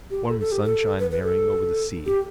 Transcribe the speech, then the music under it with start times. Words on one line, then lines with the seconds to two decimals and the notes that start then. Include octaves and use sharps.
Warm sunshine merrying over the sea.
0.11 G4
0.28 A4
0.40 A4
0.52 G4
0.64 A4
1.00 B4
1.11 B4
1.23 A4
2.06 G4